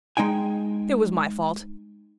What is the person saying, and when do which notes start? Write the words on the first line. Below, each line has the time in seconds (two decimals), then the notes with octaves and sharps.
It was my fault.
0.17 G#3 D#4 G5 G#5